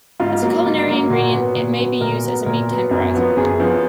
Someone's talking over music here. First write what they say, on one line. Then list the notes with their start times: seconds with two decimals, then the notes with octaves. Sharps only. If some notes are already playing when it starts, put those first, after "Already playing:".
As a culinary ingredient, it may be used as a meat tenderizer.
0.20 G#2 F4
0.42 F#3 A#3
0.65 G#2
0.88 F#3 A#3
1.10 A#2 F#4
1.33 F#3 B3
1.55 A#2
1.78 F#3 B3
2.01 A#2 A#4
2.24 F#3 B3
2.46 A#2 A#4
2.69 F#3 B3
2.91 F#2
3.15 F3 B3
3.37 F#2 G#4
3.60 F3 B3